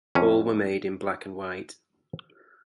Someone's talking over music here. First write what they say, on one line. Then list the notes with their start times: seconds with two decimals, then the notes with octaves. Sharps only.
All were made in black-and-white.
0.15 F2 C#4